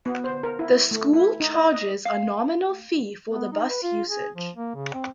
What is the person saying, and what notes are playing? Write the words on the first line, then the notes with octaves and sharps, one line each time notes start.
The school charges a nominal fee for the bus usage.
B3
C5
A#4
E4
A3
E4
D#4
D#5
D#5
F5
B3
D#4
B4
F4
G#4
F3
A#3
C#3
C4